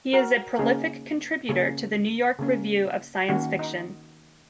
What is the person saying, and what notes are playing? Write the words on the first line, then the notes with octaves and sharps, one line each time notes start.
He is a prolific contributor to the New York Review of Science Fiction.
F#4 A#4
C#3 A#3 C#4 D#4 G#4
C#3 A#3 C#4
C#3 A#3 C#4
D#3 A#3 C#4 F#4
D#4